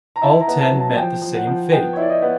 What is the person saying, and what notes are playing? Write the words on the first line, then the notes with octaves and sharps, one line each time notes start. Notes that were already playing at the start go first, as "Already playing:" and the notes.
All ten met the same fate.
A#5
E4 A5
A#5
B3
A5
F#3
A5
F3 G5
F3
F#5
F3
B3 G5
C#5
E4
D5
D#5
B3